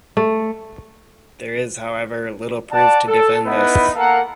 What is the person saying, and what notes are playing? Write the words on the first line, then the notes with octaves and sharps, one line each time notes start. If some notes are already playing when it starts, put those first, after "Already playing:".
There is, however, little proof to defend this.
A3
D5 F#5 A5
A4
B3 D#4 E4 B4
A#3 A4 A#4 F5 F#5